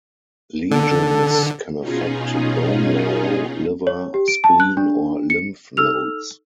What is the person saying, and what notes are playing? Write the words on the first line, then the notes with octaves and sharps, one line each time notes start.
Lesions can affect bone marrow, liver, spleen, or lymph nodes.
D3 A4
B2 C#4 D#4 F4 G#4
C#5
G4
D7
A5
F#6
D4
C#7
D#4 A4 E6 F6 F7